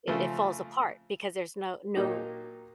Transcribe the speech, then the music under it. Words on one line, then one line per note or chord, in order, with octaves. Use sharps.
i it falls apart because there's no no
C#3 F3 A3
A#2 F#3 A#3 D#4 G4